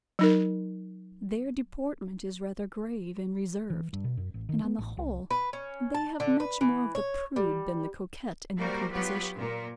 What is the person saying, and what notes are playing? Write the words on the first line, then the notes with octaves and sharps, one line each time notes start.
Their deportment is rather grave and reserved; and, on the whole, they have much more of the prude than the coquette in their composition.
F#3 D#4 A#4
E3
G2
B2
F#2
A1
D#3
B3
A1
C2
B4
C#4
A5
D3
B4
E3
C#5
G3
G3 A#3 F#4 A#4 C5
F#3 B3 F4 G4 B4
A#2 A#4